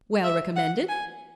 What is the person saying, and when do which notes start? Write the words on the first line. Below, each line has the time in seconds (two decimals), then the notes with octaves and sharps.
"Well recommended?"
0.23 E5
0.56 F#5
0.89 G#5